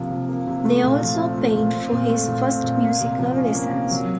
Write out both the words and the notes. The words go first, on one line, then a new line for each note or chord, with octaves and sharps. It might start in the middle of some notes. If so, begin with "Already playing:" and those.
They also paid for his first musical lessons.
Already playing: C3 F3 A#3
C3
A#3
C3
A3
A#2
F3
C4
A3
A#2
C4
A#2
A3
A#2
C4
A#2
A#3
C3
F3
C#4
A#3
C3
F#3